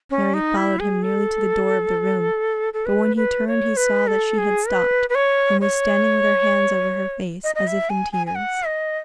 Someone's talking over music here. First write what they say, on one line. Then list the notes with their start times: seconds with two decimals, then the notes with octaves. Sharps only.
Mary followed him nearly to the door of the room, but when he turned he saw that she had stopped, and was standing with her hands over her face, as if in tears.
0.10 C#4
0.34 D#4
0.57 E4
0.80 G#4
1.03 A4
2.74 A4
2.86 B4
3.16 B4
3.47 C#5
3.77 B4
4.07 A4
4.38 G#4
4.69 B4
5.10 B4
5.15 C#5
5.61 C#5
7.44 D#5
7.55 D#5
7.67 E5
7.90 G#5
8.12 G#5
8.27 G#5
8.35 F#5
8.66 D#5